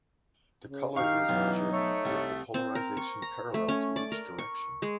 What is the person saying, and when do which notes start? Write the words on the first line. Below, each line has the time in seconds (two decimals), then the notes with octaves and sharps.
The colour is measured with the polarization parallel to each direction.
0.68 C#3
0.97 D#3 D#4 G4 F5 C#6
1.29 B1 E3
1.72 A3 C#5
2.05 C2
2.54 C4
2.75 A#4
2.97 C#6
3.22 A#5
3.54 A3
3.69 C#4
3.96 D5
4.12 A#4
4.39 C#6
4.82 G#3